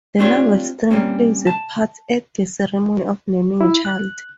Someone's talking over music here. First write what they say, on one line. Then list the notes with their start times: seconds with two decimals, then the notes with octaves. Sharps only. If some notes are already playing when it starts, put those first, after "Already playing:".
The navel-string plays a part at the ceremony of naming a child.
0.19 A3 C4 D4 F4 G4 C#5
0.91 G3 A#3 C4 C#4
1.47 A5
3.61 E4
3.85 F#6